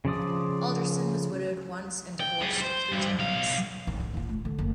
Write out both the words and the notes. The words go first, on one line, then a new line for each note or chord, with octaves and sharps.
Alderson was widowed once and divorced three times.
C#3 F3 D5 D#6
G5
G3 G#4
C5
G2
B1 F5
G#1
D3
A#1 F4
A3
D3
F#1